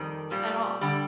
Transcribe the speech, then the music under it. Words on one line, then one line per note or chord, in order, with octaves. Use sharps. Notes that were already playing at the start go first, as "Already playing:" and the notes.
at all,
Already playing: F2 D#3 G3
A#2 G3
D3 G3